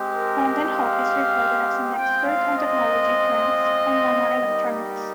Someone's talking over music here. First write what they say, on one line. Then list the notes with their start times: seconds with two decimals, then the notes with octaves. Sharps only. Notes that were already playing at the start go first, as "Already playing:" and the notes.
Van den hove is regarded as an expert on technology trends and nano electronics.
Already playing: G#3 C4 G4
0.11 A#4
0.72 F5
1.94 G#3 C4 F4 G5
2.24 F5
2.56 D#5
4.38 G3 A#3 D#4 G4